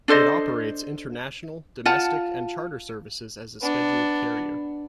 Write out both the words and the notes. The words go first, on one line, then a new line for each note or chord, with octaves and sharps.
It operates international, domestic and charter services as a scheduled carrier.
D4 A4 C5 D#5
F4 F#5 A5
B3 D4